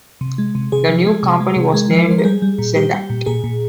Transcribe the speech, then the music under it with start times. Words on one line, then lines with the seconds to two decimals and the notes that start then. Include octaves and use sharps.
The new company was named Cendant.
0.21 C3
0.38 G#3
0.55 C3
0.72 C3 G#4
0.89 F3
1.07 G#3
1.23 C3
1.40 G#3
1.56 C3
1.74 G#3 A#4
1.91 F3
2.08 G#3 C5
2.18 A#4
2.25 G3 G#4
2.42 G3
2.59 A#2
2.76 G3 G4
2.93 G3
3.10 A#2
3.26 A#2 G#4
3.44 A#2